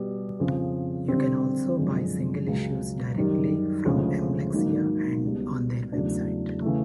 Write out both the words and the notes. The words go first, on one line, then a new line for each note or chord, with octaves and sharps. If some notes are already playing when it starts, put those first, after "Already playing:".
You can also buy single issues directly from Mslexia and on their website.
Already playing: B2 G3 B3
F2 C#3 F3
D3 G3 C4
F#2 D3 F3 G#3
C#2 C#3 F#3
F#2 D#3 G3
D2 C#3 F3 G#3 C#4
G#2 D#3 F#3 A#3
C#2 B2 G3
E2 C#3 F#3 A3 D4
C#3 E3 A3